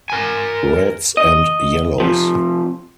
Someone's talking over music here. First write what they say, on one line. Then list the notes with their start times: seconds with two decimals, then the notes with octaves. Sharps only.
Reds and Yellows.
0.10 A#4 G#5
1.17 D#5
2.00 C3 F3